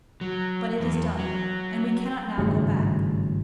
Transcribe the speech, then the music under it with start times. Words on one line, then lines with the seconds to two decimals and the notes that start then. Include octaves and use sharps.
But it is done, and we cannot now go back.
0.21 F#3
0.80 E2
1.19 F#3
2.38 G#1 G2 C#3 A3